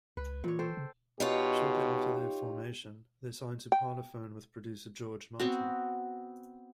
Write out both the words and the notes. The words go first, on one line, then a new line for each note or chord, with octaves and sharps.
Shortly after their formation, they signed to Parlophone with producer George Martin.
C#2 B4
A#2 E3 C#5
A4 C5 G5
C#3
B2 D#4 F4 G4 C#5
G5
B3 C4 F#4